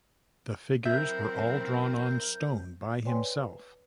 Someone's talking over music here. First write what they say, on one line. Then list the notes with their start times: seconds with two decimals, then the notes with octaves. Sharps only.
The figures were all drawn on stone by himself.
0.85 F#3 C4 E4 A#4 E5 G6
3.05 B4 C#5 D5 G5 G#5 C6